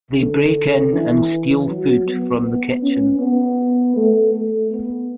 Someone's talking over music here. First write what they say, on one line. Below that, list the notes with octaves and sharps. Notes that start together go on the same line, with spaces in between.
They break in and steal food from the kitchen.
D3
E3
F#3
B3
B3
C#4
B3
A3
A3
B3